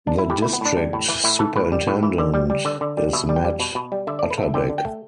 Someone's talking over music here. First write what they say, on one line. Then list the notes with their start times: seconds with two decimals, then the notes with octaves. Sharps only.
The District Superintendent is Matt Utterback.
0.07 D4
0.18 E4
0.30 A2 G4
0.42 E3 E4
0.53 B3
0.61 A2 D4
0.77 G3
0.93 A2
1.09 E3
1.24 A2 E4
1.39 E3 A4
1.56 A2 B4
1.72 G3
1.87 A2
2.03 E3
2.18 D3
2.34 G3
2.50 G3
2.65 D3 D5
2.81 D3
2.97 G3
3.13 B2 E5
3.29 G3
3.36 G5
3.44 G3
3.60 B2
3.75 B2
3.92 G3
4.07 D3 E5
4.19 A3 D5
4.30 B4
4.38 A3 E5
4.54 D3 G5
4.70 D3
4.78 G5
4.85 A3